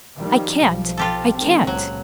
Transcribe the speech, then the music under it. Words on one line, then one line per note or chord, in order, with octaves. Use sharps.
"I can't--I can't!"
D#3 F3 G3
B1 F3
F4 G4 A4
D#3 G#3 C4
C#2 A#2 F#3